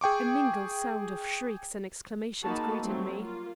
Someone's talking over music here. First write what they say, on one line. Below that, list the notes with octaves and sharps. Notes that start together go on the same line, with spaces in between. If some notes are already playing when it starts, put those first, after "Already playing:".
A mingled sound of shrieks and exclamations greeted me.
G#4 G5 C#6 D6
A#3 D#4 F#4 G#4 A5 B5
F#3 G3 A3 C4
A#3 F4